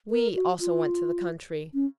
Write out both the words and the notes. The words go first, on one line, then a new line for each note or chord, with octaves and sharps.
We also went to the country.
A#4
F#4
F4
C#4